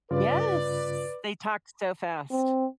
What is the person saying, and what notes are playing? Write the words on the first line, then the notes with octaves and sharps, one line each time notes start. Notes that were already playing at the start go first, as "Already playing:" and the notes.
Yes, they talked so fast.
G2 C#3 F4 B4 D5
C4